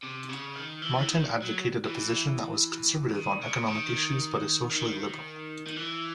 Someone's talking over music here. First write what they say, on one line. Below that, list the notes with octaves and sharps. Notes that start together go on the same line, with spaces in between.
Martin advocated a position that was conservative on economic issues but is socially liberal.
C3
C#3
D#3
E3
E3
D#3
F#3
E3
D#3
C#3
D#3
D#3
D#3
E3